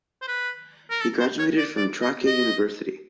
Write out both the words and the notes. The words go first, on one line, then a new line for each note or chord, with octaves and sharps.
He graduated from Trakya University.
C5
B4
A#4
A4
C5
C#5
D5
D5
D#5
D#5